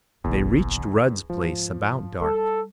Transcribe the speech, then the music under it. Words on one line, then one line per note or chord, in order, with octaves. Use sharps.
They reached Rudd's place about dark.
F#1 B1 E2
D3
G#2 F3
G3 A4